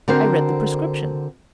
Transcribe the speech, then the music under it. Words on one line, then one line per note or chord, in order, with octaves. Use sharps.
I read the prescription.
D3 C4 F#4 A#4 C5